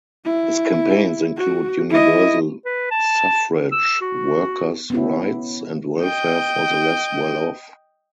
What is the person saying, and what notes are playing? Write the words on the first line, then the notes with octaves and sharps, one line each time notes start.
His campaigns include universal suffrage, workers' rights and welfare for the less well off.
E4
F#4
E4 D#5
B4
A5
E6
F#4
B3 C#4 E4
D#5 G5